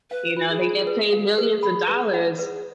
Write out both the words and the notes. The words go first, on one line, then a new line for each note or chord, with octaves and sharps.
you know, they get paid millions of dollars
B4 F5
F4
G#4
F4
B4
F5
B4
B5
B4
F#5
G#4 B4